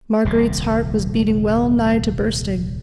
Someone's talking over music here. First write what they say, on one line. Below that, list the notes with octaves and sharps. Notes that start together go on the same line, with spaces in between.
Marguerite's heart was beating well-nigh to bursting.
D#1 C2 A#2